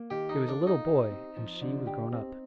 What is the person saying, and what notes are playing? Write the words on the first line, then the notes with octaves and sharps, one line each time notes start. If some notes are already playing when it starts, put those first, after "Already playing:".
He was a little boy, and she was grown up.
Already playing: A#3
D#3 G4
D#4
A4
D4
F4
D#4
G4
C4
F3
D3
G4
C4